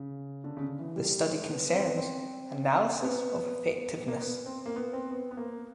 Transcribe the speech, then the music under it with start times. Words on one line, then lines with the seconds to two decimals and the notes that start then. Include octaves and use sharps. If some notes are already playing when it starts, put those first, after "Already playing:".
This study concerns "Analysis of Effectiveness".
Already playing: C#3
0.44 D3
0.57 C#3
0.62 D3
0.79 E3
0.96 G3
1.22 G#3
1.48 B3
1.74 C4
1.86 B3
1.97 C4
3.04 B3
4.08 A#3
4.21 B3
4.46 C4
4.66 A#3
4.76 B3
4.93 C4
5.11 B3
5.31 B3
5.37 A#3